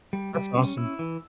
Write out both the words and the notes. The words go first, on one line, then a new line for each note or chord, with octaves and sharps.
That's awesome.
G3
G3
C#4
E4 E6
E3